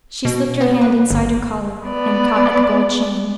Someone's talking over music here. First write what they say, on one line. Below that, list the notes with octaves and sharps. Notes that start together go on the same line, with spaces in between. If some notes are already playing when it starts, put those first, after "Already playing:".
She slipped her hand inside her collar and caught at the gold chain.
B2
B3
B4
G1
B3 D5